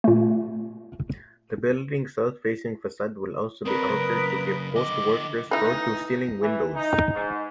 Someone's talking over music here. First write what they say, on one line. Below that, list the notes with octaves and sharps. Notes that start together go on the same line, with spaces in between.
The building's south-facing facade will also be altered to give "Post" workers floor-to-ceiling windows.
A#2 A3
C4 A#4 B4 D5 D#6
C#3 F#3
D3 D#5 D6
E3 D#4 B4
E3
D#4
G#2